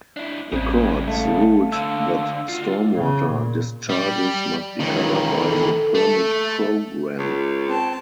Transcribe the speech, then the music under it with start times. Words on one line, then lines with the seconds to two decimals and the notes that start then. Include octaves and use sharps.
The courts ruled that stormwater discharges must be covered by the permit program.
0.17 D4 E4
0.52 A1 G2 C#3 C4 G#6
1.08 A3 F5
1.72 D2 D3 E6
2.49 F4 F#4
2.95 C#3
3.31 A#2
3.89 G3
4.80 C#2 D#3 E3
5.35 A4
5.95 A3
7.19 C#2
7.67 C4 A5